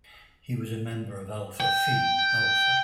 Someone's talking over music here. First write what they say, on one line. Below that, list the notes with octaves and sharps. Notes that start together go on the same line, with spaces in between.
He was a member of Alpha Phi Alpha.
G5